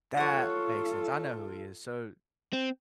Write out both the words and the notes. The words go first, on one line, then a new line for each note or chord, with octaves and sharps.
That makes sense, I know who he is, so
F4 A4 C#5 F#5
C4